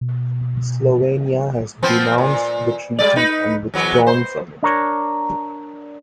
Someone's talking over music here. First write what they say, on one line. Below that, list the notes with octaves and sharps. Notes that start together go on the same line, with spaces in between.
Slovenia has denounced the treaty and withdrawn from it.
B2
F3 B3 C4
A#2
G3 G#3 D5
D#4 B4
E2 F#3 B3
C5
D4 A#4 C#5